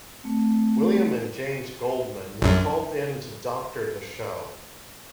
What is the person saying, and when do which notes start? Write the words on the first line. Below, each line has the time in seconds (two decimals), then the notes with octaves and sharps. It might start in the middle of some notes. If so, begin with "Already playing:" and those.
William and James Goldman were called in to doctor the show.
0.24 A3 C4
2.42 A#1 F#2